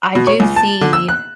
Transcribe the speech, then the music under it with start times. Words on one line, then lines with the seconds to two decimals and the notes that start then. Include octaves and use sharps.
I do see,
0.15 B2
0.27 C#5
0.40 C#2
0.56 A5
0.81 D3
0.93 E6
1.09 F#6